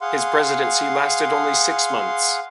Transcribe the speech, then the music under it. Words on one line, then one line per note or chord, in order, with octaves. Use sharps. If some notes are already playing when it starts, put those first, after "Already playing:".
His presidency lasted only six months.
G#4 F5 F#5 C6